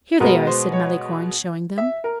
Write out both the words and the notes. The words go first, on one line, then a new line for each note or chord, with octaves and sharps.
"Here they are," said Malicorne, showing them.
B2 G#3 B3 A#4
C5
C#5
E5
A#4